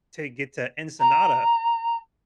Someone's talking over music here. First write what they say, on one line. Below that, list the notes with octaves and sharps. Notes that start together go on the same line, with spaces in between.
to get to Ensenada
A#5